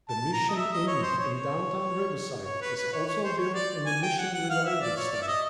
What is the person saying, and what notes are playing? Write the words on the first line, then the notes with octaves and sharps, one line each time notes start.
The Mission Inn in downtown Riverside is also built in the Mission Revival style.
A5
A#5
D#5
E5
D#5
C#5
C5
C#5
C#5
C#5
B4
B4
C#5
C#5
C5
C#5
D5
G#5
G5
F#5
F#5
F5
E5
D5
C#5
D5
E5
D#5